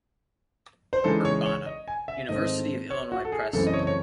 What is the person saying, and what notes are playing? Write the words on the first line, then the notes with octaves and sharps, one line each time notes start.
Urbana: University of Illinois Press.
C5
C#3 E3 G#3 D#4 A4
C#5
C#5
D#5
G#5
E5
G#2 D#3 A3 C4 D#5
C#5
F#4
A4
G#4
F#2 C#3 E3 A3 C4 A4
D#5
C#5
C#5